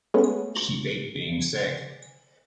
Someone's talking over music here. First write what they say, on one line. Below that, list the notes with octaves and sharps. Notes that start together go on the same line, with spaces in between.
She faked being sick.
G#3 A3 B3 C#4